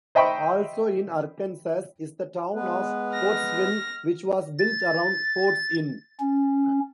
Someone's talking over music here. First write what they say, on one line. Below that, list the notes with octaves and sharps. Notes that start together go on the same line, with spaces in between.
Also in Arkansas is the town of Pottsville, which was built around Pott's Inn.
C5 D#5 E5 G5 B5 C#6
G#3 B3 B4
F6 A#6
A6
C#4